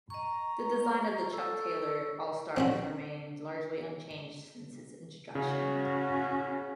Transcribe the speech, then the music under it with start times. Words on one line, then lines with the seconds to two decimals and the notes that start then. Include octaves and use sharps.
The design of the Chuck Taylor All-Star has remained largely unchanged since its introduction.
0.10 D#5 A#5 C#6
1.32 A4
2.57 C4 C#4 F#4
5.35 C#3 C#4 F#4